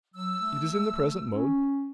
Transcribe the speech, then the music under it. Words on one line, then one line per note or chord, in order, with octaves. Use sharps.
It is in the present mode.
F#3 E6
A3
C#4